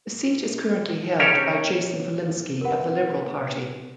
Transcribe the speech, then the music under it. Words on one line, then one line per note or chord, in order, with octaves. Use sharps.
The seat is currently held by Jason Falinski of the Liberal Party.
C#4 D#4 G4 A4 A#4 C#5
C4 A#4 B4 F#5